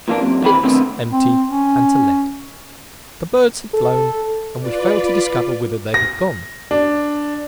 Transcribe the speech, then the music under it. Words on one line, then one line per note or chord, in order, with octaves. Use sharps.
But it was empty and to let. The birds had flown, and we failed to discover whither they had gone.
A#2 E3 A#3 C4 D4
C2 F#2 C3
B1 D#3 E3 C4 G4 B5
B2 D3 D#3 A3 B3 C4
C4
C#4
A4
F4 B4 D5
A#6
D4